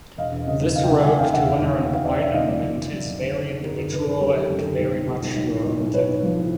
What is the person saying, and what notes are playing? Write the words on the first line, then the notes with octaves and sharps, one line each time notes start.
This road to inner enlightenment is very individual and very much your own thing.
E1 D#5 F5
E1
C#3 D#5 F5
D#2
C#3 D#5 F5
G5
C#3 E5 F#5
D#2 F#5 G#5
C#3 F5 G5
E1 E5 F#5
E1
D#2
C#3
E1 F5
C#3 D5 E5
E1 D5 E5
D#2 D#5 F5
F#2 D5 E5
F#1
F#1
F#2
F#1
D3
D3
D3
F#1 G#4 A#4
D3
F#1 B4
F#1 A#4
F#2 G4 A4
F#1 G4 A4
F#2
D3 G4 A4
B1
B1
B1
B1
B1
A2
B1
B1
B1 B4 C#5
B1
F3
A2